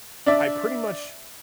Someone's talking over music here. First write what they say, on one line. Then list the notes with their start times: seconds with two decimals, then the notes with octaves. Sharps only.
I pretty much
0.26 D4 D5 E5